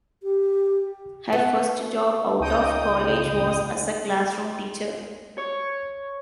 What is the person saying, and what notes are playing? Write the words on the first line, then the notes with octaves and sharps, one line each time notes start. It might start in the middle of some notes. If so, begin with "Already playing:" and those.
Her first job out of college was as a classroom teacher.
G4
B3
C#2 C#3 D#4 G5 D#6 G6
C#5